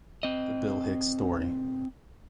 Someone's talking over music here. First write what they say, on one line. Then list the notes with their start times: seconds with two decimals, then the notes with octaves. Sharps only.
The Bill Hicks Story.
0.23 C4 D#5